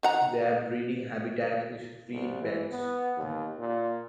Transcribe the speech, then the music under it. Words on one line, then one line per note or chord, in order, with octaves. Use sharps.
Their breeding habitat is reed beds.
D#3 F#5 A#5
C2
E3
B3
D#2
A#2